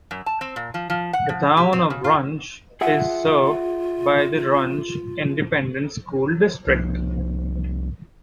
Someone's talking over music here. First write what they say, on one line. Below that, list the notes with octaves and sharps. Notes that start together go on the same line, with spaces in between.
The Town of Runge is served by the Runge Independent School District.
F#2
A5
C4
A#2
F3
F3
F#5
F3
G4
C4
C#3
F4
F4 G#4 E5 F#5
C2 F3 A#3